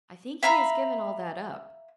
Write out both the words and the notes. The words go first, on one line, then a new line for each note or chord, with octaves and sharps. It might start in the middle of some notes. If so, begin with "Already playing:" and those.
"I think he has given all that up."
E5 F5 A#5 B5